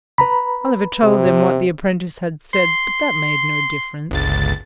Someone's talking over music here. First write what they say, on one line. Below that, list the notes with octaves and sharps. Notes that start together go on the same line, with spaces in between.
Oliver told them what the apprentice had said, but that made no difference.
B4 A#5 B5
C3
C6
G1 C#2 A6